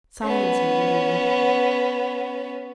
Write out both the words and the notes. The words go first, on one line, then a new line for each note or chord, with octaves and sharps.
Silence in the room.
B3 C#4